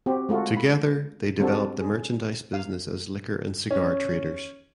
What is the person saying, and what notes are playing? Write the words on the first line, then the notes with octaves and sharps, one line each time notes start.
Together they developed the merchandise business as liquor and cigar traders.
C4 F#4 G4
G#3 A3 F4 F#4
B5
G3 C4 D4 F#4 A4
G#4
F5
C#4